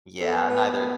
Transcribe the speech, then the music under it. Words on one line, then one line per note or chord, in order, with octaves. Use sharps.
Yeah, neither
B3 A4
B4